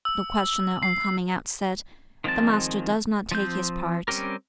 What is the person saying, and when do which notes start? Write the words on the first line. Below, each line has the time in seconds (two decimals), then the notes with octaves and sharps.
The questioner on coming out said, "The Master does not take his part."
0.05 E6
0.83 C7
2.24 D#3 F3 G#3 C4 A5
3.31 F3 C4 G6
4.08 G3 C4 C#4 G4 A#4